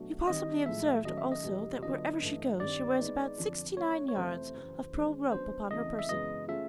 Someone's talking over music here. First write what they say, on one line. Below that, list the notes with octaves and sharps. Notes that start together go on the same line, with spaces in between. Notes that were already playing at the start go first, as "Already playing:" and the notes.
"You possibly observed also that wherever she goes she wears about sixty-nine yards of pearl rope upon her person."
Already playing: B2 F#3 A3 D4 F#4
D#3 G3 C4 D#4 D#5
A2 F3 G#3 E5
D#3 F#3 A3 C#4 D#5
E5
D#5
E2 B2 G3
D3 F#3 B3 D4 F4 D#5
G2 E3 A3
G2 D#3 G3 C4 D5
G#3 B3 D#4 G#4 B4
F2 D3 F3
A3 C4 E4 C#5
C#5
F2 C3 E3 A3 C5
F#2 C#3 E3
D#3 G#3 C#4
F#3 B3 D4 C5
E2 C#3 E3 A3 C4 D#5
E5
F#2 C#3 E3 G#3 B3 D#5
A3 C#4 F4 G#4 E5